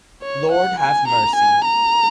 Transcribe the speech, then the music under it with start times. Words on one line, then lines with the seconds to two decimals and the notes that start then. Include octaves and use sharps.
Lord Have Mercy!
0.23 C#5
0.52 F#5
0.80 G#5
1.08 A#5
1.36 G#5
1.64 A#5